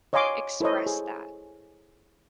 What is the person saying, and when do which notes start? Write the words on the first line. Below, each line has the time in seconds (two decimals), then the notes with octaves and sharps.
express that?
0.13 C#5 D#5 F5 G#5 C6 D6
0.61 E4 A4 C5 C#5 D#5
0.86 G#4